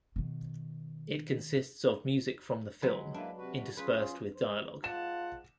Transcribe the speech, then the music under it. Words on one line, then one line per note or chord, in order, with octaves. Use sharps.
It consists of music from the film, interspersed with dialog.
B2 D#3
F#3 G#3 B4
A#3 D4 E4 B4
C3 F#4 B4
C#4 F4 G#4 B4 B5
C5
G#2 F4 F#5 A5 E7